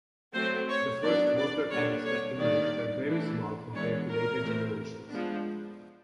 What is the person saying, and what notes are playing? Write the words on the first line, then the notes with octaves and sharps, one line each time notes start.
The first worker ants that emerge are very small compared to later generations.
F#3 A3 C4 C5
C#5
F#3 B3 D4 D5
D5
D3 G3 A#3 D4 C#5
C#5
D#3 G3 A#3 D4 D5
E3 A3 D4
E3 G#3 B3 D4 C#5
A#4
E3 A3 C4
F3 G#3 B3 D4